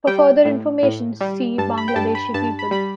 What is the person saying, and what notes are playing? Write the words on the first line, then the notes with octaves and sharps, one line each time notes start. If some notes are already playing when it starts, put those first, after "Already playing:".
For further information, see Bangladeshi people.
G3 G5
A2
A2
G3
G2 A5
B5
G5
G2 A5
B5
G2 A5
B5
G3 B5